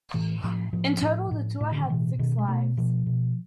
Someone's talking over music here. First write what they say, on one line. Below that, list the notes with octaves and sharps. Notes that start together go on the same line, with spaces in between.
In total, the tour had six lives.
A2 E3
A2 F3
A2 F3
A2
A2
A2
D3
D#3
B2 E3
B2 D#3
G#3
B2 A3
B2 F3
B2